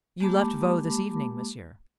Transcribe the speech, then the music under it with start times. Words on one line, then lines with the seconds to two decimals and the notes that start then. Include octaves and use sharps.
"You left Vaux this evening, monsieur?"
0.20 G#3 A#3 G4 A5 B5 D6